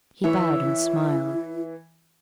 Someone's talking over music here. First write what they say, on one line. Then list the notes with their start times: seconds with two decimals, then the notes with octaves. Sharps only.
He bowed and smiled.
0.24 E3 E4 C#5 E5